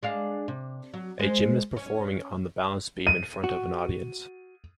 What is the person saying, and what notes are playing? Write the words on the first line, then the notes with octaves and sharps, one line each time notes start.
A gymnast performing on the balance beam in front of an audience.
G#3 D4 F5
C3
F#3
G#3 C5
C#4
D#7
F#4